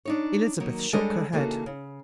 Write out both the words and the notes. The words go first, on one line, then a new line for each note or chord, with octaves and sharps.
Elizabeth shook her head.
D4 D#4 C#5
D#3 F#3 A#3
G3 G#3 D4 A4 C#5 D#5
C#3 E3 A#3 D#4 F#4 A4
C#3